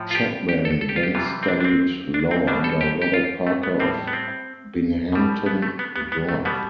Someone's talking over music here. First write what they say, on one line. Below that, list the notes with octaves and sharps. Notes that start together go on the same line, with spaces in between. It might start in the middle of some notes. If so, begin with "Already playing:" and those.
Chapman then studied law under Robert Parker of Binghamton, New York.
Already playing: A2 F3
F4
G4
G4
A4
A4
G4
F4
G4
C3 E3 G3 F4
C4
D4
D4
C4
D4
C4
B2 G3 D4
A4
G4
G4
F4
A3
B3
A2 G3 C4
B3
C4
B2 G3
B3
A3
B3
B3
B3
A3
B2 G3 B3